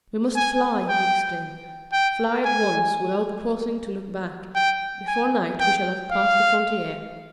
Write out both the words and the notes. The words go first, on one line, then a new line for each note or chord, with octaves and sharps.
"We must fly!" he exclaimed: "fly at once without pausing to look back. Before night we shall have passed the frontier."
G#5
G5
G5
G#5
G5
G#5
G5
F5